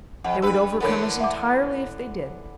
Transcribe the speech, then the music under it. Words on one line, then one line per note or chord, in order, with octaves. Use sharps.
They would overcome us entirely if they did.
F2 F#5
G2 B4 E6
D3 E3 B3 A4 A#4 C#5
E5 F#5 D6